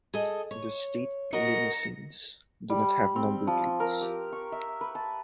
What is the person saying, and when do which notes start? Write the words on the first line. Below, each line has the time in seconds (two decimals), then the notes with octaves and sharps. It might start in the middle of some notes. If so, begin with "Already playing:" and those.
The State Limousines do not have number plates.
0.14 G#4 A4 D#5
0.51 C#5
1.33 F#4 A#4 D#5 A#6 C#7
2.70 G3
3.16 C4
3.47 F3
3.80 A#4
4.01 G4
4.32 C#6
4.52 E5
4.81 B4
4.95 A5